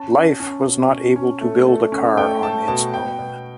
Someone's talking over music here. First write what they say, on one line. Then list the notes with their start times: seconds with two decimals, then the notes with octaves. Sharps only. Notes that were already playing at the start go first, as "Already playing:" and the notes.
Life was not able to build a car on its own.
Already playing: C#4 A5
0.15 C#4
0.40 C#4
0.65 B2
0.91 C#4
1.16 C#4
1.41 A3
1.66 A3
1.92 C#4
2.17 A3 G5
2.43 A3 A5
2.68 B2 A5
2.94 B2 G5
3.19 B2